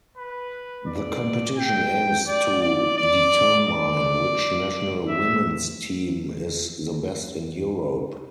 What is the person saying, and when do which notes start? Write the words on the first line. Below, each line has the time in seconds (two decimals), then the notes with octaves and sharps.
The competition aims to determine which national women's team is the best in Europe.
0.17 B4
0.87 D5
1.57 G5
2.28 D5
2.62 D5
2.97 D5
3.68 D5
5.08 E5